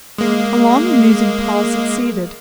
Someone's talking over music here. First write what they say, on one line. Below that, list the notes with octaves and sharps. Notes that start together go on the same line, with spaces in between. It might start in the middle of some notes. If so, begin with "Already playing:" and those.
A long and musing pause succeeded.
G#3 A#3